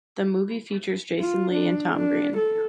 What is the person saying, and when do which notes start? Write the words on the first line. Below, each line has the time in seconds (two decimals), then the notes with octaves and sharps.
The movie features Jason Lee and Tom Green.
1.20 F4
1.52 D4
1.95 D4
2.37 A4